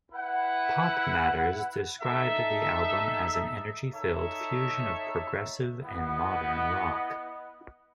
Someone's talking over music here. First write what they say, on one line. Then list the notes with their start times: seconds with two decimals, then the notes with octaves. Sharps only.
PopMatters described the album as an energy-filled fusion of progressive and modern rock.
0.11 E4 B4 F#5
2.01 D#4 A4 E5
3.91 D#4 A4 C#5 E5
5.81 B3 E4 B4 D#5 F#5